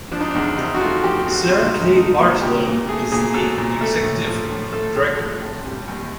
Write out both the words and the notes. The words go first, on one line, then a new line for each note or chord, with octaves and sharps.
Sarah K. Bartlo, is the Executive Director.
F3 D4
D#4
E2 D4
C3 D#4
F#4
A3 F4
F3 G4
E2 F#4
C3 F4
D#4
A3
D#4
A3 D#4
A#2
F#3 G4
A#2
A3 G#4
A#2 G#4
F#3 A4
A#2
A3 A4
A2
F3
A2
A3 A4
A2
F3
A2
G3
D#2